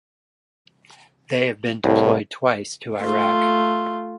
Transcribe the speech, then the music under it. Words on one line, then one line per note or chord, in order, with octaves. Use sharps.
They have been deployed twice to Iraq.
C2 A2
A3 F4